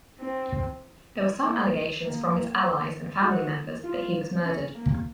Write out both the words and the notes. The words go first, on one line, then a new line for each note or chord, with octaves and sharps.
There were some allegations from his allies and family members that he was murdered.
C4
A#3
A#3
F#4
F4
C#4
A#3